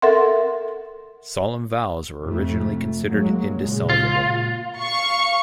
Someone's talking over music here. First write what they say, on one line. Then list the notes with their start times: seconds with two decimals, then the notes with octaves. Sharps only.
Solemn vows were originally considered indissoluble.
0.02 A4 A#4 E5 F#5 C6
2.24 F2 C3 A3
3.08 F#3 G#3 A#3
3.58 A#2 C#3 G#3
3.90 F4
4.19 A#2
4.78 F5 C#6